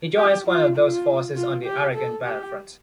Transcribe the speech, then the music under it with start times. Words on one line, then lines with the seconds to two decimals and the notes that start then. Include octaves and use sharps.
He joins one of those forces on the Aragon battlefront.
0.17 G4
0.47 F4
0.76 F4
1.36 F4
1.66 G4
1.95 A4
2.25 G4